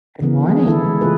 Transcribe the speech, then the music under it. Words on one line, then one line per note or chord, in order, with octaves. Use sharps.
Good morning.
C#3 E3 B3 A#4
G#4
E4 A4
E3 G#3
C#3 E3 A3 F4 G#4 B4